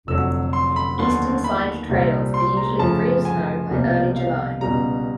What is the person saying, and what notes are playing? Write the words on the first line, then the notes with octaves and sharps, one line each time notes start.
Eastern-side trails are usually free of snow by early July.
F1 F2 D3 F#3 E6
C6
B5
D#2 D3 F#3 B3 C6
B5
C2 A#2 G3 C4
C6
A#5
F#2 C#3 F3 A3 A5
G#5
C2 B2 G3 A#3
F5
C#2 B2 G3 A#5